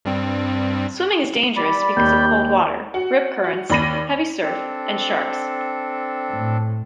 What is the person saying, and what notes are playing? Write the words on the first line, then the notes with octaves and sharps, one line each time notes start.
Swimming is dangerous because of cold water, rip currents, heavy surf and sharks.
G2 G3 C4
G3 D5 B5
D#2 G6
F#4
F#4
D#2 D5 B5 A#6 D#7
C4 D4 A4
A2